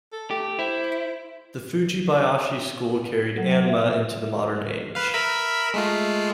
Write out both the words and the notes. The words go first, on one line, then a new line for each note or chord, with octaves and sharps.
The Fujibayashi school carried anma into the modern age.
A4
A3 G4
E4 C5
F#3
E5
B4 F5
A#4 E5 B5
G#3 A3 F4